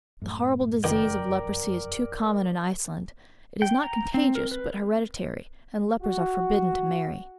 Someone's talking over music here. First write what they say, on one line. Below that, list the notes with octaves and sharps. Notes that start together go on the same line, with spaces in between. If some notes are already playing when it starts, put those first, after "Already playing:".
The horrible disease of leprosy is too common in Iceland; it is not contagious, but hereditary, and lepers are forbidden to marry.
F#2 A2
F1 C#2 F#2 D#3 A#4 D5 G5
G5
A#5
C4
A#4
B4
F#4